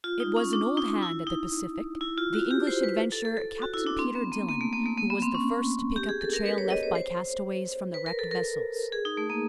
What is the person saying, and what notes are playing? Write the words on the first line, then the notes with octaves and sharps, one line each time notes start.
It was an old hand at the Pacific, the English adventurer Captain Peter Dillon, who was the first to pick up the trail left by castaways from the wrecked vessels.
F4
D#4
C#4
D4
D#4
E4
D#4
E4
F4
F#4
G4
C5
B4
A4
A4
A4
F#4
E4
D4
C4
B3
A#3
A#3
A3
A#3
A3
A#3
B3
C4
C#4
G4
G#4
A4
A#4
B4
C#5
D#5
C#5
C5
B4
A#4
A4
A#4
G#4
D#4
A3
A#3